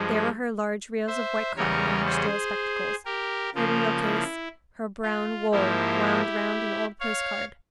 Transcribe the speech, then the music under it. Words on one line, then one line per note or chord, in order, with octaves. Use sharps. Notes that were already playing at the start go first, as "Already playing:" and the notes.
There were her large reels of white cotton and her steel spectacles; her needle-case; her brown wool wound round an old postcard.
Already playing: G2 F3 G#3
C5 E5
E2 C#3 G3 C#4 A#4 C#5
G#4 C5
G4 A#4
C#3 F3 A#3 F4
E4
F4
G#2 F3 A#3 E4 G4
C#5 F5